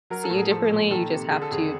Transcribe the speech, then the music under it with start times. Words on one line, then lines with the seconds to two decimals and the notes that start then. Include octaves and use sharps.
see you differently. You just have to
0.10 F#3 A#4
0.24 A4
0.30 A2
0.38 G#4
0.51 F3 A4
0.70 A#2
0.91 D#3 A4
1.11 C3
1.30 D3 G#4
1.42 A4
1.51 F2 G#4